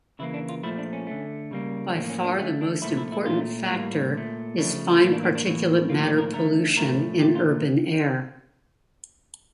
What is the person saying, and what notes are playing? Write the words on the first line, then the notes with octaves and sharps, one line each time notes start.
By far the most important factor is fine particulate matter pollution in urban air.
C#3 E3 A#3 E4
D4
F4
A#2 F3 A3 E4
D4
C#4
D3 A3
C#3 G3 A#3
A2 F3 A#3 D4
C#4
D4
D3 A3 C#4
D4
A#2 F3 A3 E4
E4
E4
A#2 A3 F4
A2 G3 A#3 F4
A#2 A3
C#3 F3 A3 D4
A2 E3 G3 A#3 F4
D4
D4
D4
A2 E3 A#3
A2 F3 A#3 F4
G4
A#4
D3 A3 A#4
A2 F3 A3 A#4
A#2 A3 G4
F4